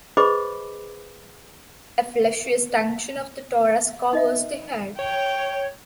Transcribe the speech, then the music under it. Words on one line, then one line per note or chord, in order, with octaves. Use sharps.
A fleshy extension of the thorax covers the head.
G#4 B4 C5 D#5 B5 D6
D#4 D#5 E5
C#5 G5